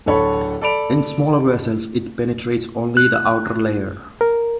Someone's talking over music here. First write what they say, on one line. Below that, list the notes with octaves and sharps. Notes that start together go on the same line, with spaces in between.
In smaller vessels it penetrates only the outer layer.
D1 D3 A4 C#5 B5
A4 D5 B5 D7 F7
F#6
A#4